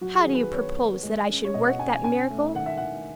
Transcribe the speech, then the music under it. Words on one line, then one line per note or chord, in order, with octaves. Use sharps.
'How do you propose that I should work that miracle?'
F#3 F#4
G#4
D#3
B4
B3 C#5
B3
G#3
C#4
C#5
B2 D#5
F#5
C#4 G#5
G#5
C#4 G#5
A3
D#3 F#5
E5
D#3 F#5